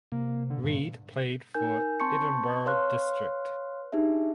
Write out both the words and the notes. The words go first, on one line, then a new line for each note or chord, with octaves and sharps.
Reid played for Edinburgh District.
C3 A#3
D3
G2 A#2
D#4 A#4 G#5 G6
C4 A5 C6 C#6 G6 C#7
B4 C#5 F5 C6 F6 F#6
D4 D#4 G4 G#4 E5